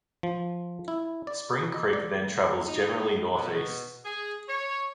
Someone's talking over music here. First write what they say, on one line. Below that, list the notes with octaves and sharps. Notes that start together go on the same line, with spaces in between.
Spring Creek then travels generally northeast.
F3
E4
D5
D#5
D5
D#4
B2
G#4
C#5